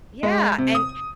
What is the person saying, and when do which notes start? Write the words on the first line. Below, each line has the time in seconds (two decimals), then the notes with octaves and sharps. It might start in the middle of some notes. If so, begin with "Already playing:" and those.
Yeah, and
0.23 G#3
0.58 C3
0.75 D#6